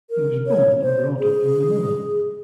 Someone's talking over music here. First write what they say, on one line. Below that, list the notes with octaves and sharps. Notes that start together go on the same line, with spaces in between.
He was born and brought up in Manila.
A#4
C#5
C5
G#4